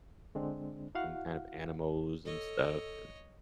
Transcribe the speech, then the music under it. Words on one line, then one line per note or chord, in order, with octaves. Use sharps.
some kind of animals and stuff and
D3 G#3 C4 D4
E4 F#4 F5 F#5
A4 C#5 D#5